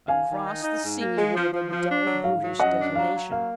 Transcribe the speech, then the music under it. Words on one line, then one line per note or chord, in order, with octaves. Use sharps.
Across the sea rolled a dull, brutish detonation.
D#3 F5 G#5
D#3
D#4
D#4
G#2
A#3
G#3
F3
F3
F3
D4
F#3
G#2 F5
F#3
F#2 D#5 F#5
D4
F#3 F5
F#3
A#3 F5